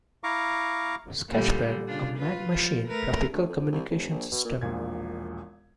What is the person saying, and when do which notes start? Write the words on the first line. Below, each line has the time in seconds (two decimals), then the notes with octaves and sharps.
"Sketchpad: A Man-Machine Graphical Communication System".
0.24 E4 F5 A#5 C#6 D6
1.29 A#2 D3 G3
1.88 C#3 D4 F4
2.18 F4 B4
2.52 F3 F4
2.88 A3 A#4 B4
3.32 D2
3.49 F2
3.72 C2
3.90 F1
4.10 A#1
4.31 B2
4.45 A#2
4.61 E1 A#1 A#2 G#6